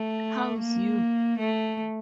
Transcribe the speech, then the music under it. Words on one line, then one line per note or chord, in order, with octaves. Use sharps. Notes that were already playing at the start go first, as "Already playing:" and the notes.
Hows you?
Already playing: A3
A#3
A3